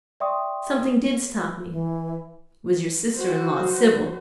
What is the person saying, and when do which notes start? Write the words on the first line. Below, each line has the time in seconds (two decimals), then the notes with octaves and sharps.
Something did stop me; it was your sister-in-law, Sibyl.
0.20 D5 E5 G5 C6 C#6 D#6
1.70 E3
3.15 F#4 C5
3.59 F#3